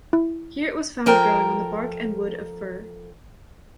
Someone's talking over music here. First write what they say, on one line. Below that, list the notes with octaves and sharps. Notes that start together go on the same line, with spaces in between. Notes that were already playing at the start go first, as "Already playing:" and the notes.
Here it was found growing on the bark and wood of fir.
E4
F3 A4 A#4 G5 A#5